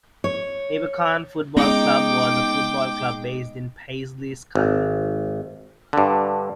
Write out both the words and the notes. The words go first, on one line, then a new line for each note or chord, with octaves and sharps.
Abercorn Football Club was a football club based in Paisley, Scotland.
C#5
G#3 B3 C#4 D#4 G5 D6
G#1
G2 D3